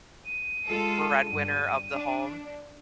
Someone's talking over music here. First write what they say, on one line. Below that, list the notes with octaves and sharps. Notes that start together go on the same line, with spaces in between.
breadwinner of the home,
D#7
G#3 F4 A4
G2 G3
D4